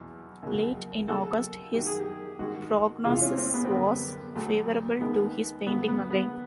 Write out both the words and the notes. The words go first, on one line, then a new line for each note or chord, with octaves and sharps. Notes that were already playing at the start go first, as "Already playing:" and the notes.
Late in August his prognosis was favorable to his painting again.
Already playing: E2 B2 F#3
D#2 C#3 F#3
D#2 C#3 F#3 A4
F#2 D#3 F#3 G4
G#4
G4
G#2 D#3 G#3 F#4
E2 C3 E3 G#3 F4
C#4
C4
B3
C4
F#2 D3 G3 B3
D2 D3 F#3 A3
D#2 D#3 G#3 B3
G2 D3 F#3 B3
B3
B3